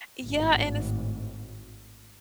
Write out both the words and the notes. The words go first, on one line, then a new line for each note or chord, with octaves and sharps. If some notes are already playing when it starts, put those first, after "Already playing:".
Yeah, and it's
G#1 A2